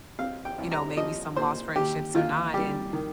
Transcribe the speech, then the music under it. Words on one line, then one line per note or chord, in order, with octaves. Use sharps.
you know, maybe some lost friendships or not." And,
C4 F5
G5
C2
A#5
F3 D#5
A#2 C5
D#2 G4
D#2 F4
G3 G4
D#3